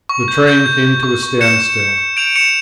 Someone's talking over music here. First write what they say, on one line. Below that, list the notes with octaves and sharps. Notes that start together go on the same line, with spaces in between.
The train came to a standstill.
C#6
G6
G6
G6
G6
C#6
C#6
G6 C#7 E7
C#6
G6
C#6
G6 D7 F7
C#6 C#7 E7